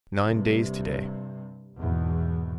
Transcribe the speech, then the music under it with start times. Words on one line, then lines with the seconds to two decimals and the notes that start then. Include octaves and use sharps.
It's nine days today.
0.25 G2 C3
1.77 G#1 E2 B2